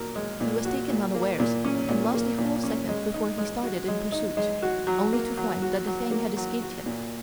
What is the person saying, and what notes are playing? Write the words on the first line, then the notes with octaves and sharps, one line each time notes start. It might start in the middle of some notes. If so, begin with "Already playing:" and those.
He was taken unawares, and lost a full second before he started in pursuit, only to find that the thing had escaped him.
Already playing: A#2 F#4 A#4
G#3
A#2
F#4
A#2
A#3
A#2
C#4
A#2
A#3
A#2
C#4
G#3
D#4
G#3
F#4
G#3
D#4
G#3
F#4
F#3
A#3
F#3
F#4
F#3
A#3
F#3
F#4
A#2